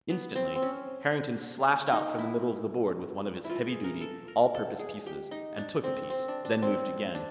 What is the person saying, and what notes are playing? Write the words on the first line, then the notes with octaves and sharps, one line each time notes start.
Instantly, Harrington slashed out from the middle of the board with one of his heavy-duty, all-purpose pieces and took a piece, then moved again.
B3
C4
C4
C#4
D#4
E4
E4 F4
G#4
A#4
A4
A#4
A4
G#4
G4
D#4
D4
C4
C4
D4
D4
C4
D4